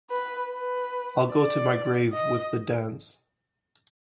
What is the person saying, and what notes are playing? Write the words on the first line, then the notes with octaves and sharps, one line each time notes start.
I'll go to my grave with The Dance.
B4
B4
D5
D#5